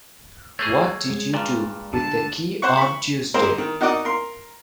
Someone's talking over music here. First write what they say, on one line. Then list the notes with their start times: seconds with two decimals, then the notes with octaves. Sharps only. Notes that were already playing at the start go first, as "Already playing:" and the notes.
What did you do with the key on Tuesday?
0.59 A3 A#3 G#4 C#5 C#6
1.09 G#3
1.34 G2 A#2 D5 F6
1.93 D3 D4 A5
2.62 C5 F#5 C#6
2.77 B5 C#6
3.34 G#3 A#3 C4 A#4 C5
3.58 D#3
3.81 D#4 F#4 A#4 D5 D#5
4.05 A#4 C6